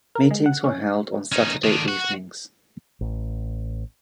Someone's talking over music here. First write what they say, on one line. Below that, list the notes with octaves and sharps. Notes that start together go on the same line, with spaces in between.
Meetings were held on Saturday evenings.
A#4
G#3
F#5
C#4
C#4 D#4
D#3 D4
F#4
A1